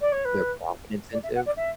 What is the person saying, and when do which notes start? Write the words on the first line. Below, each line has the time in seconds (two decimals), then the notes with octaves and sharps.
their profit incentive,
0.01 D5
0.12 C#5
0.25 B4
1.13 D5
1.23 E5
1.35 F#5
1.46 D5
1.57 E5